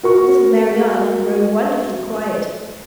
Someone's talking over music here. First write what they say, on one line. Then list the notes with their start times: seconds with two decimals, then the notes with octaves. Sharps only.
Little Marianne had grown wonderfully quiet.
0.03 F#4 A#4 C#6